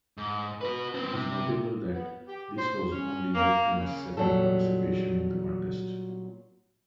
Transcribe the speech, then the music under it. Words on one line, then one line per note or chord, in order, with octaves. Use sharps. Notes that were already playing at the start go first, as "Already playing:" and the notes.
It is notable that this was only Ukraine's second participation in the contest.
G#2
F#4 B4
B3 C4
C3
B3
G4
C5
C#4
A#3
C#3
A#2 F#3 G3 A4